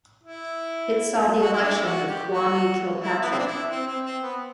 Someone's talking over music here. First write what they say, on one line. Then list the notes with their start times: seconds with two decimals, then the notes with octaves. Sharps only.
It saw the election of Kwame Kilpatrick.
0.23 E4
1.42 F#4
1.52 E4
1.62 D4
1.75 E4
1.86 F#4
2.08 G4
2.32 F#4
3.01 E4
3.23 B3
3.31 C4
3.39 D4
3.47 E4
3.71 C4
3.87 C4
4.05 C4
4.23 B3